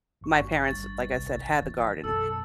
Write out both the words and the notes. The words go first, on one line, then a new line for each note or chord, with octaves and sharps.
my parents, like I said, had the garden.
G#1 G2 C#6
G3 D4 A6
C2
E3
B1 F#2 A4 E6